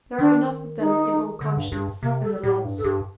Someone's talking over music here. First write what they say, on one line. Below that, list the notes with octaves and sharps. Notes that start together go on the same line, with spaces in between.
There are enough of them in all conscience in the laws.
D#3 D4
D#4
D3
G2
G2
C3 A#3
A4
A2 G4
G2
A4
G2 G4